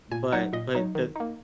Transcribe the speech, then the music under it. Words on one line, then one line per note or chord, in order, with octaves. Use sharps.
But but the
A#2 G#5
F#3 D#4 F#5
A#2 D#5
F#3 D#4
D#3
A#3 D#4